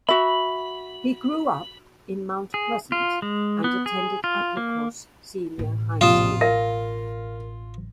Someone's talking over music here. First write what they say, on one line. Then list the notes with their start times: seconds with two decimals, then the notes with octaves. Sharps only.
He grew up in Mount Pleasant and attended Applecross Senior High School.
0.09 F#4 E5 B5
2.54 G#4
2.92 F4
3.22 G#3
3.64 B3
3.86 G#4
4.24 F4
4.57 A#3
5.58 A1 B2
6.01 A#1 F2 C3 F4 F5 D#6 E7
6.41 A#4 F5 A#6